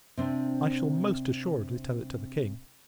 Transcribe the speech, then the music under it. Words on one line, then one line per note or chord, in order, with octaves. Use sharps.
I shall, most assuredly, tell it to the King!
C3 C4 D4